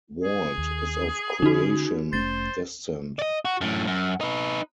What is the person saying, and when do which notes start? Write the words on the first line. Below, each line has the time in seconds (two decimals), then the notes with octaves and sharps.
Walt is of Croatian descent.
0.24 G#4
0.58 D#2
1.42 D3 C#4 D#4 F#4
2.13 F1 A3 C#4 C5 A6
3.19 D5 D#5
3.45 F#4
3.61 F#2 A2
3.87 F#2
4.21 D#4 B4